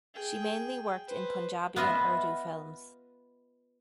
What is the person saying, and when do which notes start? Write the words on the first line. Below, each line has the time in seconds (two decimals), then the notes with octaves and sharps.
She mainly worked in Punjabi and Urdu films.
0.14 G#4 G5
1.07 B4 C5
1.76 B3 F4 D#5 E5